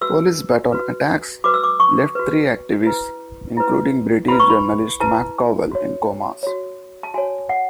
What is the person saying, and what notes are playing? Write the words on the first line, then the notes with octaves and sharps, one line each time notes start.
Police baton attacks left three activists, including British journalist Mark Covell, in comas.
F#4 B4 E6
F#4 B4
F#4 B4 D6
E6
D6
C#6
F#4 B4
E4 B4
E4 B4
E4 B4 B5
C#6
B5
E4 B4 A5
F#4 C#5
F#4 C#5
A5
F#4 C#5 G#5
F#5